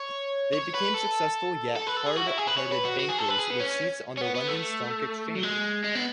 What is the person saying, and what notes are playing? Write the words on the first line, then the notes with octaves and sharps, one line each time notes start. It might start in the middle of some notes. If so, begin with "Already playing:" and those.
They became successful yet hard-hearted bankers, with seats on the London Stock Exchange.
Already playing: C#5
C#5
B4
A4
A4
B4
A4
G#4
F#4
E4
G#4
B4
C#5
B4
F#4
F#4
G#4
A4
B4
G#4
B3
C#4
C#4
B3
B3
A3
F#3
G#3
G#3
B3